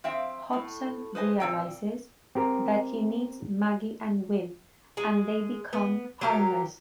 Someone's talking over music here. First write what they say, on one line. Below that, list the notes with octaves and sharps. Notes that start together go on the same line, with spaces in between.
Hobson realizes that he needs Maggie and Will, and they become partners.
F3 C4 E5 F5 G5
A2
B4 C5 D#5 G#5
A#2 C4 G5
C4 G4 A#4
G#3
B3
F#3 G4 A#4